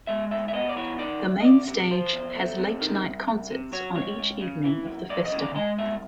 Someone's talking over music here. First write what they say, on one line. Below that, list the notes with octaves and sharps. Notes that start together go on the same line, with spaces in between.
The main stage has late night concerts on each evening of the festival.
G#3 E5
A2 E5
E5
B3 D#5
D5
E3 C#5
D#3 D5
D2
D#5
D2 D5
C3
F3 C5
E2
A3
C3
D#3
C2
C2
C3
F#3 C#5
C#2 C#5
C#2
C#3
E3
F#2
F#2 D5
D#5
C#3
D5
G#3 D#5
C2 E5